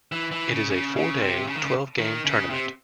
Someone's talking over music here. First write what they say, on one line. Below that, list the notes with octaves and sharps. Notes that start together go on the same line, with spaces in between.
It is a four-day, twelve-game tournament.
E3
E3
C#3
C#3
C#3
C3
C#3
D#3
C#3
D#3
C#3
C3